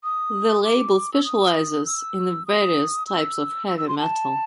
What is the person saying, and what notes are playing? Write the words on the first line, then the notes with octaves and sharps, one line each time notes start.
The label specializes in various types of heavy metal.
D#6
D6
E6
D#6
E6
D#6
E6
E6
E6
C6
A5